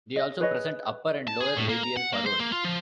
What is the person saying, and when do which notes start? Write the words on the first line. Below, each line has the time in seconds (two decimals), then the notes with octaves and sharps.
They also present upper and lower labial furrows.
0.16 D#5
0.40 G#4 B4 C#5 D#5
1.28 A5
1.40 G#4
1.57 A2
1.69 A#3
1.83 A#5
1.97 F#5
2.13 A#3
2.26 C5
2.40 A#3
2.52 F4
2.65 F3